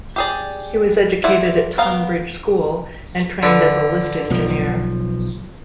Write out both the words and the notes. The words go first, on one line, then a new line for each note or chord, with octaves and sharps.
He was educated at Tonbridge School and trained as a lift engineer.
G4 G#4 D5
E4 C5 D5 E5 F#5
B3 A#4 F5
D3 B4
B1 F3